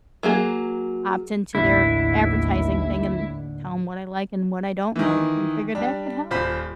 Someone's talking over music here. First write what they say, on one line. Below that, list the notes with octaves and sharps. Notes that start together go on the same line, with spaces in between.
opt into their advertising thing and tell 'em what I like and what I don't like, and figured that could help.
F#3 A#3 G#4
A1 D#2 A2 D3 E4
D#3 E3
G3 D4
D#1 F4 C5 B5 B6